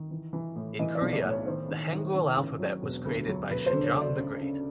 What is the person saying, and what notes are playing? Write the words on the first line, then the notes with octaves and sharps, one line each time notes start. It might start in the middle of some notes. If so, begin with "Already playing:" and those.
In Korea, the Hangul alphabet was created by Sejong the Great.
Already playing: D#3
E3
E3
A2
E3 D#5
D5
B1
D5
A2 C#5
D#3 C5
D#3
D#3
D#3
A1
F#3
E1
D2
F#3
E1 B4
C5
D3
C#5
D2
D5
C#3
C#3